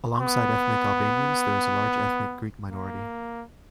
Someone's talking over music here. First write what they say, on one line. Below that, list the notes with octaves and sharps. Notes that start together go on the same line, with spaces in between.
Alongside ethnic Albanians, there is a large ethnic Greek minority.
B3
A#3